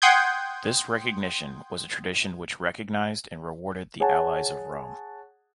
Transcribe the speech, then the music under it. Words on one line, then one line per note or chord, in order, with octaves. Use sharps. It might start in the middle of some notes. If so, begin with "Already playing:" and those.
This recognition was a tradition which recognized and rewarded the allies of Rome.
F#5 G5 C6 D#6 G6 G#6
G#4 C#5 F#5 G#5 A5